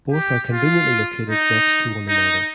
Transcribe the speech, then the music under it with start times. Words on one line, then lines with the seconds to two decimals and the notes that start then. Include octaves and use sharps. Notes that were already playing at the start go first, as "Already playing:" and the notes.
Both are conveniently located next to one another.
0.12 G4
0.51 F4
1.30 D#4
2.09 D#4